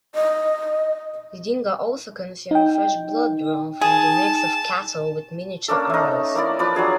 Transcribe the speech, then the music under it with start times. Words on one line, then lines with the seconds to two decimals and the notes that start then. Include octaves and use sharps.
Didinga also consume fresh blood drawn from the necks of cattle with miniature arrows.
0.15 D#5
2.51 D#4 G5
3.81 G#4 A5
5.68 A#3 C#4 D4 A4
5.90 A3 D#4
6.35 A#3 D4 E4 D5
6.59 F3 B4 D5 B5
6.75 F#3 D4 G#4 A#5